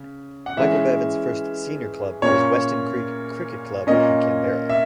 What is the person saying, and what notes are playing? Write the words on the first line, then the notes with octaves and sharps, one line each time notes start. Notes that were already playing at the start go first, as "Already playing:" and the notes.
Michael Bevan's first senior club was Weston Creek Cricket Club in Canberra.
Already playing: C#3
F#5
E3 G#3 C#4 E5
A#2 A#3 C#4 C#5
A#2 A#3 C#4 D#5
E5